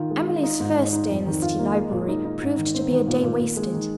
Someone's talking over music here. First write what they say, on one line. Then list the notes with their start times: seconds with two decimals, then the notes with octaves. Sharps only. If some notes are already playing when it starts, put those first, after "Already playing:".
Emily's first day in the City library proved to be a day wasted.
Already playing: D#3 F4
0.11 G#3
0.27 F4
0.43 D#4
0.60 G#2
0.76 G#2
0.93 D#4
1.09 F2
1.25 D#3
1.42 F4
1.59 A#3
1.75 G#3
1.92 A#2
2.08 D#4
2.25 D#4
2.41 G#2
2.58 D#3
2.74 C4
2.91 D#3
3.07 A#2
3.23 A#2
3.40 A#2
3.57 G#3
3.73 D#3